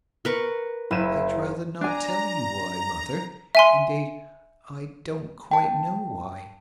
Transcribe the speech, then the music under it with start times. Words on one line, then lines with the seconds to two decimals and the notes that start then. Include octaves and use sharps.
"I'd rather not tell you why, mother; indeed, I don't quite know why."
0.25 A#4 B4 C#6
0.91 F#1 E4 D#7 E7
1.81 D4 G#5 A#5
3.55 E5 G#5 C6
5.51 G5 A5